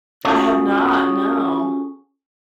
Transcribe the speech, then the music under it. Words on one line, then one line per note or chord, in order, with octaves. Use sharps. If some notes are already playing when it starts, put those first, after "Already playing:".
I have not, no.
C#4 F4 F#4 G#4 A4 C#5